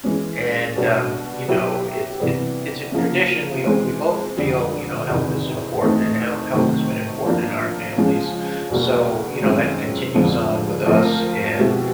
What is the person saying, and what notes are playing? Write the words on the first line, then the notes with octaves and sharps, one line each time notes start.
and, um, you know, it's it it's a tradition we o we both feel, you know, health is important and how health has been important in our families. So, you know, that continues on with us, and,
E3 G#3 C#4
B2 G3 B3 D4
F#3 B3 E4 G4
C3 E3 G3 B3
C#3 F3 A#3
E3 G#3 C4
F2 D3 G3
E2 C3 D#3
E3 A3 C4 D#4
C3 D#3 F#3 A3 C4
F3 A#3 D4 F4
C#3 F3 G#3 C#4
E2 B2 G3 A#3
F#2 D#3 G#3 C4 F4
F2 D3 F3 G#3 C4
F3 A3 C4 F4 A#4
B2 G#3 C4 E4 G4